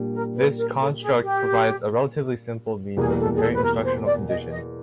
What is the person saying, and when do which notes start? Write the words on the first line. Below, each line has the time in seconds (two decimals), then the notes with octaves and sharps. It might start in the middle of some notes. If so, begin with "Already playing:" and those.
This construct provides a relatively simple means of comparing instructional conditions.
Already playing: A#2 G3 A#3 D4
0.15 A#4
0.37 B4
0.58 A#4
0.80 A4
1.02 G#4
1.23 G4
2.97 E2 B2 G3 A#3 G#4
3.19 A4
3.36 G#4
3.41 A4
3.54 B4
3.62 A#4
3.84 C5
4.06 D5
4.28 D#5
4.50 D#5